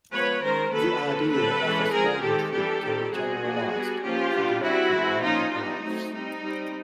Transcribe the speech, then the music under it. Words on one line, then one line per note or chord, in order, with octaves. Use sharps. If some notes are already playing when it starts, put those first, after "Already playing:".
The idea of a spanning tree can be generalized to directed multigraphs.
F3 G#3 B3 B4 C#5
D#3 G#3 C#4 A#4 C5
D#3 F#3 A#3 C#4 A4 B4
D3 F3 A#3 C#4
D3 G3 C4 A4 B4
E3 G#3 C#4
F3 G#3 C4 G#4 A#4
D#3 G#3 C4 G4 A4
E3 G3 B3 D4 G4 A4
D#3 G3 C4
G3 C4 F#4 G#4
F3 A#3 D4
G3 B3 D4
F3 A#3 C#4 F4 G4
G3 B3 D4
G3 C4 E4 F#4
E3 G#3 C4
F3 A#3 C#4 D#4 F4
G3 B3 D4 D#4
F#3 A3 C4
G3 C4 D#4
G3 C4